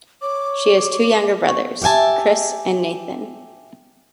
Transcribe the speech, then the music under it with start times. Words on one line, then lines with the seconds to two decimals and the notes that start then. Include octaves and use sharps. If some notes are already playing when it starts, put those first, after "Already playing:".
She has two younger brothers, Chris and Nathan.
0.22 C#5 D6
1.47 C#6
1.82 G4 E5 F#5 G#5 A5